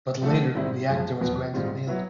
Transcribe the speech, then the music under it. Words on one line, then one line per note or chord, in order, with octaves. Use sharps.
But later the actor was granted bail.
F3 A3 D4 F#4 A4
G#2 D#3 G3 C4 E4
F#2 C#3 F3 G#3
E2 B2 F#3 B3
G#2 D#3 G3 C4 F4
F#3 B3 E4